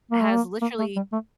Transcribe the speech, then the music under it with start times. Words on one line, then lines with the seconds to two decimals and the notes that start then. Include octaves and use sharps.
has literally,
0.11 A#3
0.22 A3
0.33 A#3
0.62 A#3
0.79 A3
0.96 G3
1.13 A3